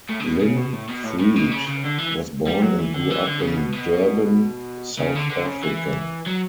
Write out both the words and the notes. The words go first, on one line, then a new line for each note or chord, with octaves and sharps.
Lynn Freed was born and grew up in Durban, South Africa.
A2
C#3
B2
C#3
B2
A2
B2
A2
A2
B2
C#3
C#3
D3
E3
G3
F#3
E3
D3
E3
D3
C#3
B2
B2
C#3
D3
D3
C#3
E3
F#3